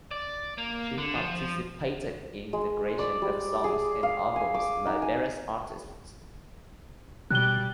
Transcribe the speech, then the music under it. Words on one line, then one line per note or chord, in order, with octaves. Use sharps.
She participated in the creation of songs and albums by various artists.
D5
A#3
D3
F3
G#3
D5
G3
G#4
F5
G#5
D6
D#4
G#5
B2 G3 F#6 G7